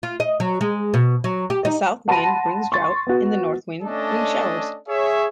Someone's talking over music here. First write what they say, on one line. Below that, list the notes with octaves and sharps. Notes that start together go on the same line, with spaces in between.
The south wind brings drought and the north wind brings showers.
F4
D#5
F#3
G#3
B2
F#3
G4
D#4
F#5 A5 B5 C6 A#6 D#7
C6 C#6 A6
B3 F#4
A3 C#4 D4 A4 D5 D#5
G#4 C#5 E5